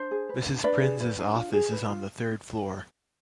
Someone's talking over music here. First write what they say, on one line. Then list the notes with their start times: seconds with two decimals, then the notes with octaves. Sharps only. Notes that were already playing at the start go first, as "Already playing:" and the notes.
Mrs Prinz's office is on the third floor.
Already playing: D4 C5
0.11 G#4
0.29 B4
0.46 D4
0.64 D4 B4 D5
0.82 G#4
1.00 B4
1.19 D4
1.36 F4
1.53 G#4
1.72 B4
1.89 F4